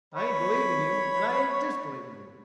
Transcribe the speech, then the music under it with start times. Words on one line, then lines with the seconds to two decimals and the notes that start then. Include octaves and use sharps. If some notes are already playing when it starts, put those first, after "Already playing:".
I ain't believing you and I ain't disbelieving you.
0.14 C#5 B5